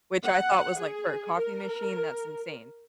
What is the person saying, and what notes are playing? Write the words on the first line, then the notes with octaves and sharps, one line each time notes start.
which I thought was like, for a coffee machine, that's insane.
F#5
G#4
A#4